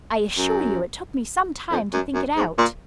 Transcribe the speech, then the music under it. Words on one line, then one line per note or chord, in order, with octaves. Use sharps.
I assure you it took me some time to think it out.
F#2
F2
F#2
F#2
G#2
A#2